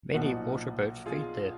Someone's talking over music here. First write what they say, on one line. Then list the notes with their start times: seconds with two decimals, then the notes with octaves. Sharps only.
Many water birds feed there.
0.14 B1 A#2 F3 D#4 F#4
1.06 F4 G#4